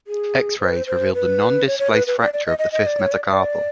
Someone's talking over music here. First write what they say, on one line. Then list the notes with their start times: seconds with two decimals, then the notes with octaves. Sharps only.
X-rays revealed a non-displaced fracture of the fifth metacarpal.
0.07 G#4
0.60 C5
0.69 B4
0.76 C5
0.87 C5
1.14 B4
1.67 C#5
1.79 C#5
1.93 B4
2.07 B4
2.19 D5
2.33 D5
2.46 D#5
2.59 D#5
2.72 D#5
2.86 D5
2.99 C#5
3.12 D5
3.25 D5